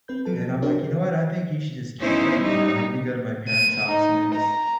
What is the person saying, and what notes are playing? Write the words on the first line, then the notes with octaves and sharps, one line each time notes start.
And I'm, like, "You know what? I think you should just keep it." You know, I even go to my parents' house and they just
C4 B4 G6
F3 F#3 A4 A5
D4 F#4 G#4 A#4 C5 C#5
B3 C#4 D#4 E4 C5
G3 D#4
D#7
D#4
A#5